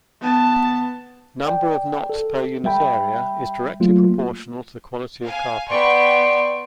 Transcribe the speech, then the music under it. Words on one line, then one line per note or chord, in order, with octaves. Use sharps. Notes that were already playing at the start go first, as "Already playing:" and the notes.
Number of knots per unit area is directly proportional to the quality of carpet.
B3 A5
D5 G5
A4
G3 E5 G5 B5
F#3 A3 A#3 F4
F5 G#5
B3 D5 G5 C6 C#6